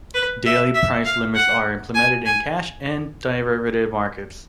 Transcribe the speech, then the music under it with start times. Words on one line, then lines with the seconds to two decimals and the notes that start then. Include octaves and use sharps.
Daily price limits are implemented in cash and derivative markets.
0.14 B4
0.45 E5
0.75 E5
1.05 F5
1.34 F#5
1.95 G#5
2.25 G#5